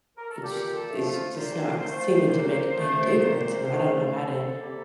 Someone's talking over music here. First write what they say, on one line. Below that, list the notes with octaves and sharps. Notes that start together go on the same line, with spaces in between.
it's just it's just not seeming to make a big difference, and I don't know how to
A#4
A4
A#2 G4
A4
F3 A3
F4
A#2 C5
F3 A3
A#2
F3 A3
A#2
F3 A3
C2 A4
C3 G3 A#3